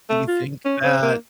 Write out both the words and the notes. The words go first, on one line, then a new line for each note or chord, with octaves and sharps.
Do you think that
A3
F4
C#4
C4
A#3